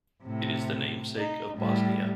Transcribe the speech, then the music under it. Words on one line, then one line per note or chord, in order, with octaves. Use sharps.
It is the namesake of Bosnia.
A2 C3
D#4
A2 G3